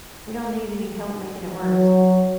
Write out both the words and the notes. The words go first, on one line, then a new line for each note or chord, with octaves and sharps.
We don't need any help making it worse.
F#3